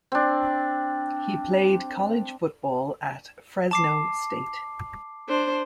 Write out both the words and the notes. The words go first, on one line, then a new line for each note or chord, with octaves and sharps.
He played college football at Fresno State.
C4 D4
A5 D6 C7
D4 C5